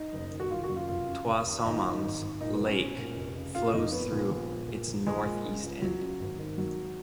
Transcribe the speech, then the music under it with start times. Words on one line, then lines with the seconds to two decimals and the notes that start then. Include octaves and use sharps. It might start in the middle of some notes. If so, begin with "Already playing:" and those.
Trois Saumons Lake flows through its northeast end.
Already playing: D#4
0.13 F#1
0.31 D#3
0.40 F#4
0.51 F#1 F4
0.64 F#4
0.69 F#2
0.76 F4
0.89 F1 F4
1.08 C#3
1.27 F1
1.46 D#2
1.65 G#1 D#4
1.77 F4
1.84 D#3 D#4
2.03 G#1
2.22 G#2
2.41 A#2 D#4
2.54 B3
2.60 B1
2.66 C#4
2.79 B1
2.98 A#2
3.16 F1
3.36 C#3
3.54 F1 F4
3.73 F2 D#4
3.92 A#2 B3
4.12 A#1
4.31 A#1
4.49 A#2
4.68 A#2
4.87 A#1
5.06 A#1 G#3
5.25 A#2
5.45 C#3
5.63 C#2
5.82 C#2 F#3
6.01 C#3
6.20 G#1
6.39 D#3
6.58 G#1 F#3